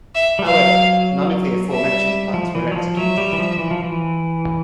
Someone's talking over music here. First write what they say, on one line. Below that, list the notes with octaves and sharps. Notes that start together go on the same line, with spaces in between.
However, none of the aforementioned plans were executed.
E5
G3
F#3 F5
G3 E5
F3
E3
F#3
F3
F#3 E5
G3
E3
F3
E3
F3
E3